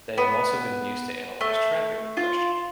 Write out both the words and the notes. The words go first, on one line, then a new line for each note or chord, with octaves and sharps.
They have also been used to analyze traffic congestion.
B3
A3
F4